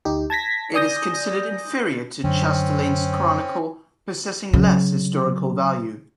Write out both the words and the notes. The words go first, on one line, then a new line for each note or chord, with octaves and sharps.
It is considered inferior to Chastellain's chronicle, possessing less historical value.
D2 D#4 G4
A5 G#6 A#6 B6
D5 G#5 D#6 G6 A#6
F#2 D3 C4 C#4
C#3 F#3